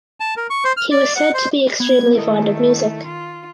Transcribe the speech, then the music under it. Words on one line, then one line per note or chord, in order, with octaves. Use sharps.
He was said to be "extremely fond of music".
A5
A#4
C#6
C5
F6
D5
F#5
C5
B3 G#6
D#3 A3 E4 D#5
F4